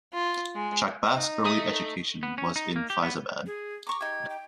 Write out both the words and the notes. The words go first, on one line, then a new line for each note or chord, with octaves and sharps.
Chakbast's early education was in Faizabad.
F4
G#3
D#4
A3 D#6
B3
C#4
D#4
A#3
G4
B3
G#4
A#5 C#6 D6
D#4 G4 G#6
G5